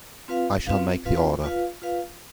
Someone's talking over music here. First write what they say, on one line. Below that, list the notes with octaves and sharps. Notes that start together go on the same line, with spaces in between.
I shall make the order.
C4 F4 B4 F5
C4 F4 B4 F5
C4 F4 B4 F5
F4 B4 F5
F4 B4 F5